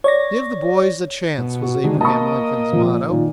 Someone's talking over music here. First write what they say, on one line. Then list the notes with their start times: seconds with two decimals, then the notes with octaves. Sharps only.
"Give the boys a chance," was Abraham Lincoln's motto.
0.04 C#5 D5 A#6
1.38 B2
1.62 F#4
1.84 D3 D#3 G#3
2.01 A#3 D#5 A5 C#6
2.72 A#2 F3
3.08 A#2 D#3